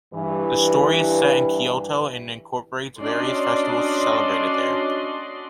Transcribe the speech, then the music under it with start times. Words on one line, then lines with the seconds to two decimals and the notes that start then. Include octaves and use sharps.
The story is set in Kyoto, and incorporates various festivals celebrated there.
0.13 G2 E3
3.00 C#4 D4 F#4 D5 D#5 C6